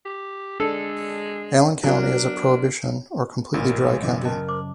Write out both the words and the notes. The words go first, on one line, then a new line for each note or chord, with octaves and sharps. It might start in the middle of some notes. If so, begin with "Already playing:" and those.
Allen County is a prohibition or completely dry county.
G4
G#3 D4 A4
F#3 B3 D4 A#4
A1 A#2 A#4
G#3
F#2 C#3 E3 A4 D#5
C#4 A#4 D#5 A5
C5 D6